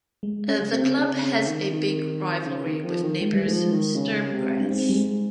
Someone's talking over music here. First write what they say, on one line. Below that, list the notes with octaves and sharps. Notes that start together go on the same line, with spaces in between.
The club has a big rivalry with neighbours Sturm Graz.
G#3
C#4
C#3
C3 C4
C#3
C#3 C4
C#3
D#3
D#3
C#3
D#3
F3
D#3
D#3 G#3
G3
F3 G#3
D#3
C#3
C3
G2
G#2 C4
G3
G#3